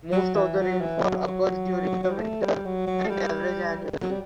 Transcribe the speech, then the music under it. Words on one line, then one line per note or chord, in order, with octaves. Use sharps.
Most of the rainfall occurs during the winter and averages annually.
F#3
E3
F#3
E3
F#3
F#3
F#3
G3
A3
G3
F#3
F#3
A3
G3
F#3
G3